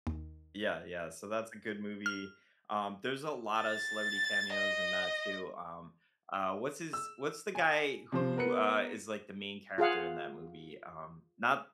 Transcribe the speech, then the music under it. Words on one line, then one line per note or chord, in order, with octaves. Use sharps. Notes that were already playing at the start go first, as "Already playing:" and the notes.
Yeah, yeah, so that's a good movie, um, there's a lotta celebrity cameos in that too, um, uh, what's his what's the guy who, uh, is, like, the main character in that movie, um, not
D#2
F6
A6
D#5
E6
G#5
C3 F3 C5
B3 A#4 B4 C#7
F4 G#4 F5 F#5